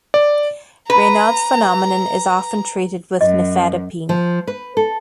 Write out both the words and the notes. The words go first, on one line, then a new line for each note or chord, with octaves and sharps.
Raynaud's phenomenon is often treated with nifedipine.
D5
B4 A#5
F#2 D#5
F3
B4
A4